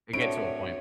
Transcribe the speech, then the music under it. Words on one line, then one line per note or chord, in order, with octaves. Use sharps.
It gets to a point.
A2 C4 D4 F#4 C#5 D7